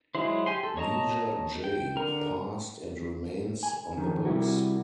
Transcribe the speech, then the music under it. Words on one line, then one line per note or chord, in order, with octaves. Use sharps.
Measure J passed and remains on the books.
F#3 G#3 E4 C5
G4 G#5 C6
A4
C#5 D#5 A5 A#5
G5
D3 A#4
G#5
F2 D#3
C3 G3 E4 F#4